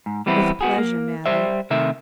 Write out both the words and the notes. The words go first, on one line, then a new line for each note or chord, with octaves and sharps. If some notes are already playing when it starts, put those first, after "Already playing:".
"With pleasure, madam."
G#2
E3 G3 B3 C4 E4
B3 F#4 G#4
A#3
G3 C5 E5
C3 D#3 A3 E5